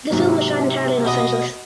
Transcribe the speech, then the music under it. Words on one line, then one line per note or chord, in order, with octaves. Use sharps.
The film was shot entirely in Los Angeles.
G#2 C3 F#3 A#3
B2 B3 D#5